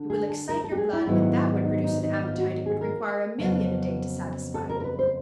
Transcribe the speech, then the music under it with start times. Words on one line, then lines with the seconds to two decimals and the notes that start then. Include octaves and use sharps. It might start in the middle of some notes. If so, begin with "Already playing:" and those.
You will excite your blood, and that would produce an appetite it would require a million a day to satisfy.
Already playing: D3
0.10 G#4
0.29 A4
0.49 A#4
0.64 A4
0.72 G4
0.77 G#4
0.93 E4
1.07 G#2 D#3 F#3 B3 E4
1.65 D#4
1.84 D#4
2.03 D#4
2.23 F4
2.38 F#4
2.66 G#4
2.81 A#4
3.38 F2 C#3 F#3 B3
4.54 A4
4.69 A#4
4.80 A#4
4.84 B4
4.99 C5